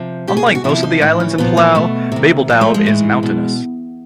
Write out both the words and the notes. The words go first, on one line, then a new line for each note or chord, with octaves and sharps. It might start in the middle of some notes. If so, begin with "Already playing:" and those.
Unlike most of the islands of Palau, Babeldaob is mountainous.
Already playing: C3 F3
B2 G4
G#4
G4
F#4
C3 F3 E4
D#4
A2 E3 D4
C#4
A#2 F3 B3
A#3
B2 A3
C3 D#3
A#2 F3
A3
G#3
A2 E3
B2